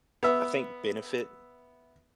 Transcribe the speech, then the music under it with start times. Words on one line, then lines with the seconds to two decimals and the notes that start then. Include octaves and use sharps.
I think, benefit
0.23 B3 E5